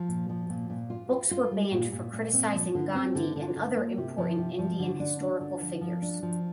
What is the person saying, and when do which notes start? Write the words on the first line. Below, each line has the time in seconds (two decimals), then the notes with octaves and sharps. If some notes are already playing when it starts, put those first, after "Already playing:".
Books were banned for criticizing Gandhi and other important Indian historical figures.
Already playing: F3
0.08 A#2
0.29 F3
0.49 A#2
0.70 A#2
0.90 F4
1.11 F4
1.31 F4
1.51 G3
1.72 A#2
1.92 A#2
2.13 A#2
2.33 C4
2.53 F3
2.75 D3
2.95 C4
3.15 D3
3.36 D3
3.56 D3
3.77 A#3
3.97 C3
4.18 F3
4.38 C3
4.59 F3
4.79 D3
4.99 D4
5.20 D4
5.41 D3
5.61 F3
5.81 F3
6.02 D4
6.23 F3